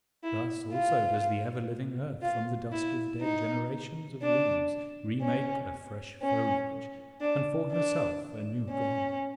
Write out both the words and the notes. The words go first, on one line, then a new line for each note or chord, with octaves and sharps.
Thus also does the ever-living earth from the dust of dead generations of leaves re-make a fresh foliage, and for herself a new garment.
E4
F4
F4
E4
D#4
D4
C#4
C#4
D4
D4
C#4